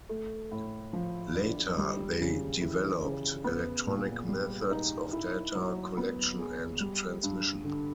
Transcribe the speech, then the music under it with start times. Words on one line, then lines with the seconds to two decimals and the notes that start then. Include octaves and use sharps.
Later they developed electronic methods of data collection and transmission.
0.09 A3
0.51 A2
0.93 F3
1.35 D4
1.77 G3
2.19 C#3
2.61 E3
3.04 C#3
3.44 B3
3.87 A#2
4.28 G3
4.71 D#4
5.13 E4
5.55 F#3
5.97 B3
6.39 G#4
6.80 G3
7.23 G2
7.64 D3